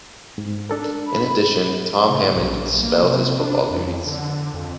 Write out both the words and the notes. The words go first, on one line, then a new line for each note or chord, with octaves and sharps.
In addition, Tom Hammond spelled his football duties.
G#2
D4 A4 A#4
B5
C#3
G#2
B1
A#1
A#3
C3
D4
F2
D3
F2